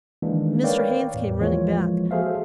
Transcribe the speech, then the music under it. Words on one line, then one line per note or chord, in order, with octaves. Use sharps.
Mr. Haynes came running back.
D#3 E3 G#3 A#3 D4
A#4 B4 C#5 D5 F5 G5
E2 A2
E3 F3 G#3 A#3 F4 C#5
F#4 G#4 A4 C5 E5 F5